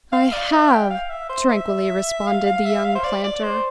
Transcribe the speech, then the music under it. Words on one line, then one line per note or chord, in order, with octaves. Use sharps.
"I have," tranquilly responded the young planter.
F5
D5
E5
G5
F5
E5
C5
E5
F5
F5
E5
F5
C5
D5
D5
C5